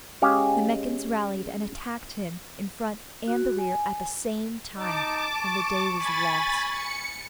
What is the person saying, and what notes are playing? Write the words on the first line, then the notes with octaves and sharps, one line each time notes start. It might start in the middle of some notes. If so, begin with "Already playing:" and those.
The Meccans rallied and attacked him in front and the rear at the same time, and the day was lost.
G#3 C#4 G4 G#4 F5
F#4
G#5
D#4 A5 D6
C#6
G#5 B5 A6
C#7